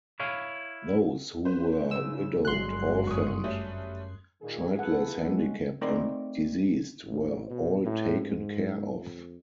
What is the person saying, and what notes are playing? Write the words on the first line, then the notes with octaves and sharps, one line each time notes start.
Those who were widowed, orphaned, childless, handicapped and diseased were all taken care of.
E4 C#5 F5
B4 C5
C#3 E6
G1 F#3 G#3 C6 F#6
F#2 C#6 D#6
G3 A3 C#4
A#2 D#3 A#3 G4 G#4
E3 B3 A4 F#5
C3 G3 G#3 C#4
A3 C4 D#4 A#4 D5
A1
B2
A2
G#2
F2